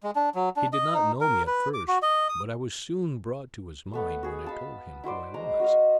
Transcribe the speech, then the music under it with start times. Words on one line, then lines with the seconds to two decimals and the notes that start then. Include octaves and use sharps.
He did not know me at first, but I was soon brought to his mind when I told him who I was.
0.03 G#3
0.16 D4
0.35 F#3
0.56 D4
0.73 D#5
0.94 D#4
1.21 A#4
1.47 B4
1.74 D6
1.88 F#4
2.02 D#5
2.29 D#6
3.93 A3 B3 A4
4.23 F#4 G#4
4.44 F5 A5 B5
5.04 E4 F#4 C5 D5
5.34 G#3 A#5
5.60 F#4 D#5 F5